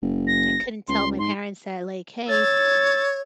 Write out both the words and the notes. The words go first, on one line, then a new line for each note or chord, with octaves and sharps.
I couldn't tell my parents that, like, "Hey,
F#1
A#6
C#2 C6
G#2 C6
C#5 E6 A6